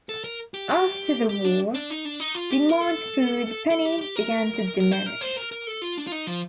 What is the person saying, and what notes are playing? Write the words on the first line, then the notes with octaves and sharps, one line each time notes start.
After the war, demand for the penny began to diminish.
A4
A#4
G4
G4
G4
D4
D4
D#4
D4
D#4
F4
G4
A#4
A4
A4
G4
G4
A#4
A#4
C5
A#4
C5
A#4
A#4
A4
F4
D4
F4
D#4
F3